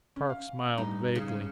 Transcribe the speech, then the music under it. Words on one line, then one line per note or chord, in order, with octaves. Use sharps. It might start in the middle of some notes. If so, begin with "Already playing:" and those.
Park smiled vaguely.
C#4
F5
G2 D#4
C#3